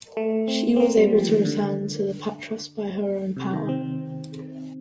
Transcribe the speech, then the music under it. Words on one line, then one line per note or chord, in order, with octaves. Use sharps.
She was able to return to Patras by her own power.
A3
C4
C4
A#3
G3
F3
D#3
D3
C3
D#3
C4